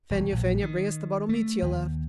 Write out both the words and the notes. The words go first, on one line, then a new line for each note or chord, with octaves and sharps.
Fenya, Fenya, bring us the bottle Mitya left!
E1
A#1
D#3
A3
D#2